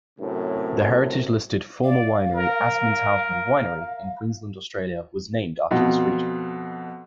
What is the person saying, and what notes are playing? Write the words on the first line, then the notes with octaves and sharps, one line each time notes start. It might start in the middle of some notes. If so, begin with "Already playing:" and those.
The heritage-listed former winery Assmanshausen Winery in Queensland, Australia, was named after this region.
F#2 A2 C3
D5 F5
A#4
F2 B2